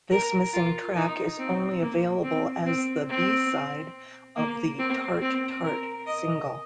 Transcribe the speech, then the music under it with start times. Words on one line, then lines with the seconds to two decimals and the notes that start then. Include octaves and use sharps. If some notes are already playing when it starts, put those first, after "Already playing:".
This missing track is only available as the B-side of the "Tart Tart" single.
0.11 A#4
0.54 F4
0.96 D#4
1.39 C4
1.81 A#3
2.24 C4
2.66 C4
3.09 C4
4.36 A#3
4.79 C4
5.22 C4
5.64 A#4
6.06 D#5